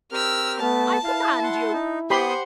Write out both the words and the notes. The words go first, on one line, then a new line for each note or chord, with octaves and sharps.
"I command you!"
C4 G4 A#4 E6 F6
A3 B3 A5
E4 F5
F#5 C6
D#4
B3 G4 C5 F#5 B5 C6 D#6